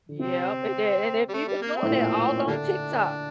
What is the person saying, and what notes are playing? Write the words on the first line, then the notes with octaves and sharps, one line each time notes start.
Yep, and then and then people doing it all on TikTok.
D3
C3 C4
G3
A3
G3
A#3
C4
A2
A#2
D3 G3 A#3 D4